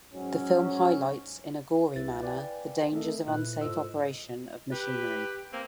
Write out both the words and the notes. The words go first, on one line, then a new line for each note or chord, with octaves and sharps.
The film highlights, in a gory manner, the dangers of unsafe operation of machinery.
G#2 F#3 C#4
C2 E4 B4 E5 A6
B4 D5 F5 G5 G#5
A3 C4 A4 A#4 D#5 E5
A#2 E4 B4 F#6
G#2 F4 A4 C5 D#5 E6
D#5
G4 B4
A#3 C4